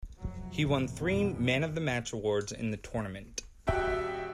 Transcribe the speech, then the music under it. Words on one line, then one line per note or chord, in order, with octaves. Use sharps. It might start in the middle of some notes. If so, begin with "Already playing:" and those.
He won three Man-of-the-Match awards in the tournament.
F1 F#3
A1 C3
B1 F2 B2 E3 G3 B3
D#1 F#4 E5 G5